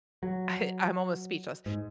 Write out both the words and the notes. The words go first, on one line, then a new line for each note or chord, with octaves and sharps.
I I'm almost speechless,
F#3
G#2